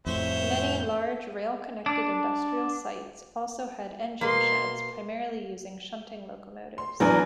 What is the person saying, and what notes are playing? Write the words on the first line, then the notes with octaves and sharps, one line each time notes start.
Many large rail connected industrial sites also had engine sheds primarily using shunting locomotives.
F2 A2 C5 C#5 E5
D4
B2 A#3 C6
C6
E2 E3 F#3 D4 A#4 G#5